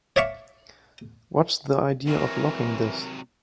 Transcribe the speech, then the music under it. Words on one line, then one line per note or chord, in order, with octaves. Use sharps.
What's the idea of locking this?
C#5 D5 E5 F5 C#6
C3 E3 F#3 A#4